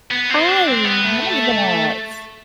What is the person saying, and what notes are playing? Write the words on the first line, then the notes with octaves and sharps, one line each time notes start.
I love that.
B3
C4
D4
C4
B3
A3